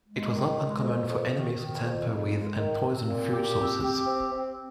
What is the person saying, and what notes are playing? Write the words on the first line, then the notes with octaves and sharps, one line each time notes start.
It was not uncommon for enemies to tamper with and poison food sources.
G#3
D#3
G#3
F2
F2
D#3
D#3
F2
F2
G#3
D#3
C4
A#2
G4
C4
G4
C4
C4